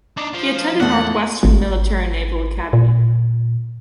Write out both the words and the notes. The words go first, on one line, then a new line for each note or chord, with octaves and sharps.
He attended Northwestern Military Naval Academy.
D4 D#4
F3
E2 A3 F#5
G#1
A#2